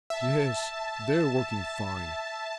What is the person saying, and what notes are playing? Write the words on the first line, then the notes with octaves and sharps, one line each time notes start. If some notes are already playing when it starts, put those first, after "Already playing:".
Yes, they're working fine.
E5 A5